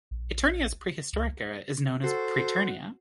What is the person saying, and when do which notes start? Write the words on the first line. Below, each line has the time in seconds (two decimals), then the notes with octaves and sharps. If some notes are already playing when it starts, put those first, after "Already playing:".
Eternia's prehistoric era is known as Preternia.
0.11 A#1
1.13 C#2
2.03 F#4 A4 C5